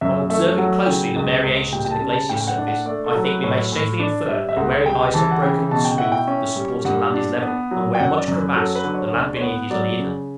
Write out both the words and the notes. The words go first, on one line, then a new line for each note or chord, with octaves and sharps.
From observing closely the variations in the glacier surface, I think we may safely infer that where it lies unbroken and smooth, the supporting land is level; and where much crevassed, the land beneath is uneven.
F#2 E5
A3 E5
F#3 F#5
C#3 G5
C#2
C#2
G3 G5
G5
A5
C#3
A5
A2 G5
G5
F#5
D4
F#5
A3 D5
A4
F#3
B4
A2 C#5
A2
D4 D5
G3 E5
E5
C#2 F#5
G3 G5
E3 A5
F#5
C#3 G5
B2 A5
G5
E4 F#5
G5
C#4
G3
G2 F#5
D4
B3
F#3
G5
F#2 F#5
D5
F#2
B4
F#3 A4
B4
D3
C#5
D2 D5
C#5
B3 B4
F#3 D5
C#3